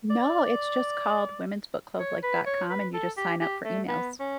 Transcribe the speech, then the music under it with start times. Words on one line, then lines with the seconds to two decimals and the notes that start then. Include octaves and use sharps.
no, it's just called women's book club, like, .com and you just sign up for emails,
0.11 D5
2.00 C#5
2.23 B4
2.47 C#5
2.70 B4
2.94 A4
3.17 G4
3.41 G4
3.65 A3
3.88 B3
4.20 C#4